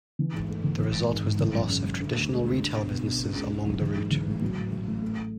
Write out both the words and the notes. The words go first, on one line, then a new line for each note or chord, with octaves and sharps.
The result was the loss of the traditional retail businesses along the route.
E3
G#2
A3
E3
E3
G#1
G#2
G#1
E3
F#2
C#3
F#2
D3
D2
G#3
D3
D4
B2
B2
D4
C#3
C#2
C#2
F#3
E3
G#2
E3
A1
F#3
A1
A1
A1
A3